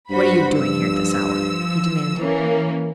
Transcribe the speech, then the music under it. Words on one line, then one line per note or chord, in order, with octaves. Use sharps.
"What are you doing here at this hour?" he demanded.
G2 F#4 C5 B5
F3 E6
E3 A#3 C#4